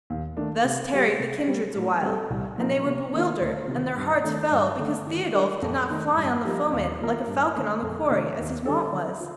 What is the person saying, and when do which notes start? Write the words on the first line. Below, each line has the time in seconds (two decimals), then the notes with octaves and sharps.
Thus tarried the kindreds awhile, and they were bewildered and their hearts fell because Thiodolf did not fly on the foemen like a falcon on the quarry, as his wont was.
0.10 D#2
0.37 D#3 A3 D4
0.65 C3
0.93 G3 C4 G4
1.20 C3
1.47 G3 C4
1.75 A2
2.02 G3 C4 D#4 A4
2.30 C2
2.58 A#2 F3 A#3 D#4
2.86 C3
3.14 D#3 A#3 D4 F4
3.41 D2
3.68 C3 D#3
3.96 G2
4.24 D#3 A3 D4
4.52 G2
4.79 D3 A3
5.07 D#3
5.34 G3 D4 G4 A#4
5.62 F2
5.90 D#3 A3 D#4
6.16 G2
6.45 F3 A#3 D#4 G4
6.73 D#2
7.00 D#3 A#3 F4 A#4
7.27 G2
7.56 D3 A3
7.82 F2
8.10 C3 D#3 A3 D4
8.38 D#2
8.66 D3 G3 D4 A4
8.93 D3
9.20 F4